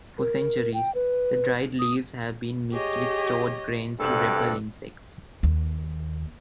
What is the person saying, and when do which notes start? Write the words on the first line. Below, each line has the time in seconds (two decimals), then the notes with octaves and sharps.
For centuries, the dried leaves have been mixed with stored grains to repel insects.
0.18 A#4
0.74 G5
0.95 B4
1.79 D#6
2.73 G4 G#4 C#5 D#5
4.00 D2 G2 C3 A4 D5 F#6
5.43 D#2